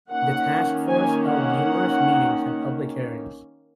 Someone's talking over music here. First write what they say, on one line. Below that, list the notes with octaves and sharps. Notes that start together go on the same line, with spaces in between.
The task force held numerous meetings and public hearings.
D#3 A#3 C#4 F#5
G#5
F#5